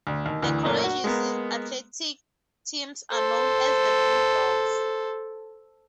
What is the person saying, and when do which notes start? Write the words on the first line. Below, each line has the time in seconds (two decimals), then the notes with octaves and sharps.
The college's athletic teams are known as the Bulldogs.
0.07 D2
0.26 D#2
0.42 D2 E3
0.64 F#2 A#2 A3 A#3 C#4
0.84 F#4
1.04 G#3 A#3 B3
3.12 A4 C5